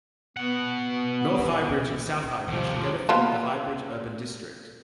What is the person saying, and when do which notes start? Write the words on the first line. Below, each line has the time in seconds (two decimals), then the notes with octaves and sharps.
North Highbridge and South Highbridge together formed the Highbrige Urban District.
0.37 B2 B3 F#5
2.48 D#2 C3 F3
3.09 A#3 B3 F4